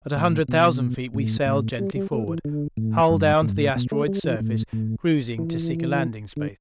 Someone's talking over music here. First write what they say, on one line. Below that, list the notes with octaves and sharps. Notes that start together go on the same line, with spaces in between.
At a hundred thousand feet we sailed gently forward, hull down to the asteroid's surface, cruising to seek a landing space.
A2
B2
A2
A2
G3
G3
A3
E3
D3
A2
G2
A2
G2
A2
B2
A3
G3
E3
A2
A2
E3
D3